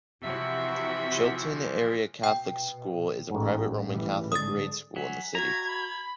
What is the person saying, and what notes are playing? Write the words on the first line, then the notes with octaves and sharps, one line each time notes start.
Chilton Area Catholic School is a private Roman Catholic grade school in the city.
C3 E3 F3 E4 F#4 E5
B2 G5
A1 G#2
A2 E3 G3
D3 G#3 D#6 A6
F#3 G#5 B6
F#4 A#5 G#6
B5